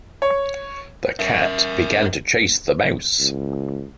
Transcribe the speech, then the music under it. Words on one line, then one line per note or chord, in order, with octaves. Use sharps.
The cat began to chase the mouse.
C#5
A#4 E5
C#2